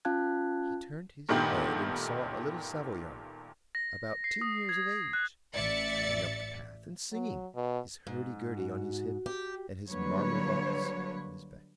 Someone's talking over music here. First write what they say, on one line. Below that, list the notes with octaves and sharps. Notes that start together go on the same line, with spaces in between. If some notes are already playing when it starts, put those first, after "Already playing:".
He turned his head and saw a little Savoyard, about ten years of age, coming up the path and singing, his hurdy-gurdy on his hip, and his marmot-box on his back.
C#4 F4 F5 A5 F#6 G#6
G2 A#2 D#3 A3 B3 G4
A#6
C7
D#6
G#6
F#6
A1 D5 E5 A6 C#7
F#3
B2
G#2
F#4
G4
D3 F#3 G3 A#3 B4 C#5